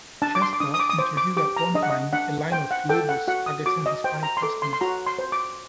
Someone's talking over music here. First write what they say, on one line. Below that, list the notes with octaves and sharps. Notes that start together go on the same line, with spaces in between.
Shasta introduced at one time a line of flavors targeting Hispanic customers.
D4 A5
D6
C6
D6
D4 D#6
D#6
D6
D#6
C5 D6
D6
G4 D6
A#5
D4 D#5
F#5
D#5
D4 F#5
C5 G5
F#5
A4 G5
F#5
F#4 F#5
D#6
F#4 D6
D#5
C5 G5
A#5
C6
A4 D6
C6
C6
F#4 A#5
C6
C5
D6